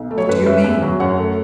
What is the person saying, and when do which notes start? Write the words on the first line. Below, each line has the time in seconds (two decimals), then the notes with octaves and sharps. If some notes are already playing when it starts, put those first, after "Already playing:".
"What do you mean?"
Already playing: B1
0.11 A3
0.18 C#5
0.29 F#2 B4
0.46 C#4 B4 E5
0.64 E2
0.82 F#3
1.00 F#2 C#5 F#5
1.18 A3